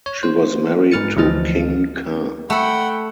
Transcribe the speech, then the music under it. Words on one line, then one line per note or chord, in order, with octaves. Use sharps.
She was married to King Ka.
C#5
C5
G#2 B4 F6 A6 C#7
D2 E3 F3 D#5 F6 A6
A3 A4 F#5 G5 B5